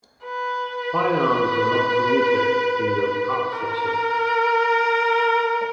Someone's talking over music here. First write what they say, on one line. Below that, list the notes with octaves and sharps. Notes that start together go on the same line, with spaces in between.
Firearms are not permitted in the park section.
B4
A#4